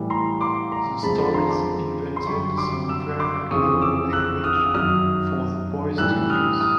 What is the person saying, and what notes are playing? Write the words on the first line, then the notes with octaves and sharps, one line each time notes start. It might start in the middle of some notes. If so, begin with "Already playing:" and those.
The stories invented some vernacular language for the boys to use.
Already playing: A2 E3 G3
A#5 C6
C6 D6
A#5 C6
F2 C#3 F3 G#3 A5 B5
A5 B5
A#5 C6
C6 D6
C6
F#2 D3 G3 B5 C#6
C6 D6
D6 E6
C6 D6
F2 C#3 E3 C#6 D#6
D6 E6
E6 F#6
D#6 F6
F#2 D#3 F#3 D#6 F6
A2 E3 G3 E6 F#6
D#6 F6
D#6 F6